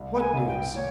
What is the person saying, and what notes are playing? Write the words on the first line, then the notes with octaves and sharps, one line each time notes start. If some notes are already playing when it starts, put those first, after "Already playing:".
"What news?"
Already playing: C2
G5
G#5
C2
G5
A#2 C#5